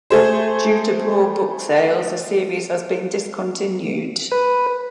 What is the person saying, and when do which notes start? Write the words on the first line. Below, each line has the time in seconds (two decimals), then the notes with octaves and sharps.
Due to poor book sales, the series has been discontinued.
0.10 A3 G#4 C5
4.32 B4